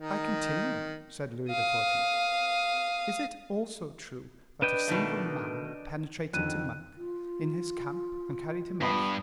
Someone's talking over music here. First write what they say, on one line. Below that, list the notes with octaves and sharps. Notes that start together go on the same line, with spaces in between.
"I continue," said Louis XIV.: "Is it also true that a single man penetrated to Monk, in his camp, and carried him off?"
D#3 D#4
F5 D#6
D4 B4 D#5 G5
B2 D#3 A3
F2 D3 D#3 F#6 D#7
F4
G2 B3